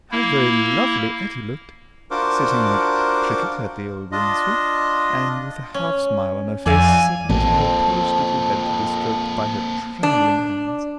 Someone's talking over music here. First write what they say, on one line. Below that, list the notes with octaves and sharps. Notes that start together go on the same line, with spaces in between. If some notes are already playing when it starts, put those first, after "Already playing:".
How very lovely Etty looked, sitting on a cricket at the old woman's feet, and, with a half smile on her face, submitting her polished little head to be stroked by her trembling hands!
A#3 E4
D4 F4 F#4 A#4 C5 D6
D4 F4 D#5
C#4
F2 D5 E5 F5 G#5
A1 F2 A#3 C4 A5
D4